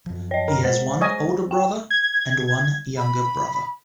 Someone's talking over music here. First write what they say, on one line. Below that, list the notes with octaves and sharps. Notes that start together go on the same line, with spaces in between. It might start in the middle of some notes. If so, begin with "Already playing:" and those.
He has one older brother and one younger brother.
F#2 F3
C#5 D#5
A#4
G#3 C5
C#5 D#5 G#5
G5
G#6
B5